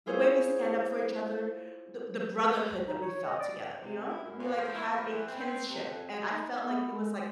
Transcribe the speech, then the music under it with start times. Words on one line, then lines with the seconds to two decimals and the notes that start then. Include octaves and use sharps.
The way we stand up for each other, the the brotherhood that we felt together, you know? We, like, had a kinship, and I felt like it was, like,
0.06 E4 F4 G#4 C5 C#5
2.87 D#4
3.02 C#5
3.26 D#5
3.40 D5
3.82 C3
4.09 E4
4.23 F#2
4.39 A#2
4.58 F3
4.74 E4
4.94 F3
5.11 E3
5.27 C4
5.40 C4
5.70 C3
5.86 F2
6.32 D#4
6.62 B3
6.89 G#3